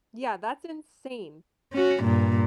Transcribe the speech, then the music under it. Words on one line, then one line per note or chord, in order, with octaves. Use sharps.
Yeah. That's insane.
C#4 F#4
G2 A#2